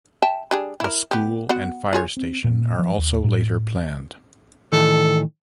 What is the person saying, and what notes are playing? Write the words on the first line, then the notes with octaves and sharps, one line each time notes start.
A school and fire station are also later planned.
E5 G5 A5
G3 D4 G#4
E4 A#4
B3 G4
B3 F#4 F#5
F4 G#4 C#5
C4
A#2
F3
D#2
A2
A2 D#3 E3 A4